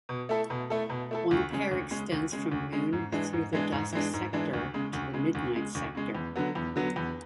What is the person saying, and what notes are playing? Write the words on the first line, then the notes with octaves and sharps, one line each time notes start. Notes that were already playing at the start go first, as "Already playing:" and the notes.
One pair extends from noon through the dusk sector to the midnight sector.
B2
A3 E4 A4
B2
A3 E4 A4
B2
A3 E4 A4
D2
C#3 G#3 C#4
D2
C#3 G#3 C#4
D2
C#3 G#3 C#4
D2
C#3 G#3 C#4
G#2
E3 G#3 D4
G#2
E3 G#3 D4
G#2
E3 G#3 D4
G#2
E3 G#3 D4
D2
C#3 G#3
D2
C#3 G#3
D2
C#3 G#3
D2
C#3 G#3
E2
D3 F#3 B3
E2
D3 F#3 B3
E2